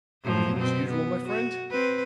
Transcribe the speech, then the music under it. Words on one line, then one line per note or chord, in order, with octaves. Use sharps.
"Everything as usual, my friend?"
F#2 A2 F3
B2 C4
B3
F#4
C4 B4